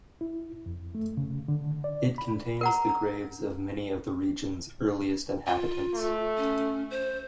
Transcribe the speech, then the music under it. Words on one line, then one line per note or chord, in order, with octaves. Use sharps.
It contains the graves of many of the region's earliest inhabitants.
E4
F2
A3
C#3
D3
D5
B5
A#4 F#5 A#5
F4
A3
C#4
C5